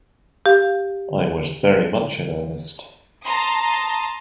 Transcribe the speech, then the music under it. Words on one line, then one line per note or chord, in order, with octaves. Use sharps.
I was very much in earnest.
G4 F5
A5 A#5 C6 D#6 C7